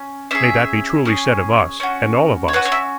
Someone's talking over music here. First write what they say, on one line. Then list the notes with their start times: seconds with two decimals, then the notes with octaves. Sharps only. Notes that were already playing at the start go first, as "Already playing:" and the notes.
May that be truly said of us, and all of us!
Already playing: C#4
0.31 C#4 G#4 E5
1.05 C#4 G#4
1.80 C#4 F#4
2.48 C#5
2.53 C#4 F#4 B4
2.65 C#5
2.72 E5